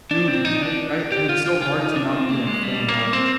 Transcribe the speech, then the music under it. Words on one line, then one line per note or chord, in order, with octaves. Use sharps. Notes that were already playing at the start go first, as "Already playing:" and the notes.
Dude, right, right, and it's so hard to not be, like, fanned out.
D4
C4
D#4
D4
G4
F4
F4
F4
D#4
D4
C4
A#3
G#3
G3
A#3
C4